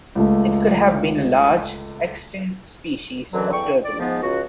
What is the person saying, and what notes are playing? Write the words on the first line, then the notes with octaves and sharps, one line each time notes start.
It could have been a large, extinct species of turtle.
C#2 A3
F#2 B2 D3 E3 F#3
E2 D3 G5 C#6
D5
G#2 F3 B3
C#2 F#4